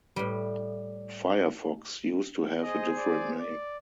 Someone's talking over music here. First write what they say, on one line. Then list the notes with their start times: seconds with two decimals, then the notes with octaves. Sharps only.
Firefox used to have a different name.
0.16 A2 G3
2.62 G#4 C5 D#5
2.97 D5
3.40 D5